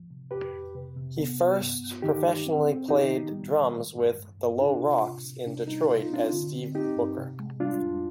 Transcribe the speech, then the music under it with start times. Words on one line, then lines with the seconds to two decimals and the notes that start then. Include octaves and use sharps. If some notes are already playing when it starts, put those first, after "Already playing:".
He first professionally played drums with "The Low Rocks" in Detroit as Steve Booker.
Already playing: F3
0.11 C3
0.31 F2 G4 B4
0.53 F2
0.75 C3
0.96 C3
1.17 B3
1.39 B3
1.60 G2
1.82 G2
2.02 D#3 D#4 G4
2.25 G#3
2.46 C4
2.67 C4
2.88 D#3 D#4 G4
3.11 B3
3.32 G3
3.53 D#3
3.74 G#3
3.95 G2
4.18 G2
4.39 G2
4.60 C3 D4 F4
4.82 C3
5.04 C3
5.25 C3
5.45 C3 D4
5.67 G3 D#4
5.89 B2 F4
6.02 D#4
6.10 C4 D4 F4
6.32 D3
6.53 C4
6.75 C4 D#4 G4
6.96 G2
7.18 C3
7.39 G#3
7.60 G3 D4 F4
7.82 F2